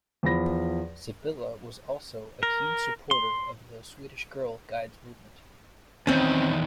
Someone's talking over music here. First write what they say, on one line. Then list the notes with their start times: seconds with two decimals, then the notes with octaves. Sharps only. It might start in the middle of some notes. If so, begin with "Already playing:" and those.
Sibylla was also a keen supporter of the Swedish Girl Guides movement.
0.23 E2 F3 B5 A#6
2.43 A#4
3.11 C6
6.07 E2 D#3 C4 C#4